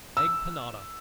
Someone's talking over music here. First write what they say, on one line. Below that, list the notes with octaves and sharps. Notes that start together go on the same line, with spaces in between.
Egg Panada.
E6